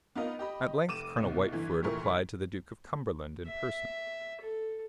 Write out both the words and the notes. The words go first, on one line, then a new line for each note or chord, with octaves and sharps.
At length Colonel Whitefoord applied to the Duke of Cumberland in person.
B3 D#4 F4 A#4 D#5
G4 D#5 B5
F1 D6 D#7 E7
C2 B2
G1 E3
F1 A#2 E3 A3 A#4 C#6
E5
A4